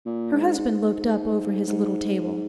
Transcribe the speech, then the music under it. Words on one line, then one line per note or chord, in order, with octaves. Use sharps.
Her husband looked up over his little table.
A#2
G#2
G#2
G#2